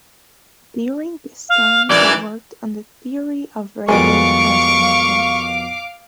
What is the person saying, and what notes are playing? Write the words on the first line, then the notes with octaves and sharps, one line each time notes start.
During this time he worked on the theory of radio transmission.
F5
F#2 E3 D5 G#6
F2 B2 D#3 G3 G#3 F5 C#6 D6